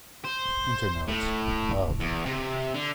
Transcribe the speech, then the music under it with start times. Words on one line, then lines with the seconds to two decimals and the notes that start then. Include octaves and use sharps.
Internodes, of.
0.24 C5
1.08 A2
2.00 E2
2.26 C3
2.75 D3